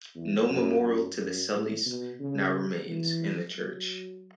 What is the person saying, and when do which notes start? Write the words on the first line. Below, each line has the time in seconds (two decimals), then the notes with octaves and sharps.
No memorial to the Celys now remains in the church.
0.15 E2
0.49 F#2
0.84 F#2
1.18 F#2
1.52 A2
1.86 B2
2.20 C#3
2.88 E3
3.56 F#3